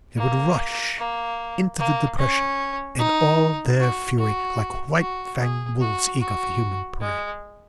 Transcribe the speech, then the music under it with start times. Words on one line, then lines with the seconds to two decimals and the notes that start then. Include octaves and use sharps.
They would rush into the depression in all their fury, like white-fanged wolves eager for human prey.
0.18 A#3
0.98 A#3
1.79 A#3
2.18 C#4
2.99 D#4
3.80 F#4
4.19 F#4
5.00 F#4
5.40 G#4
5.80 F#4
6.20 F#4
7.00 G#3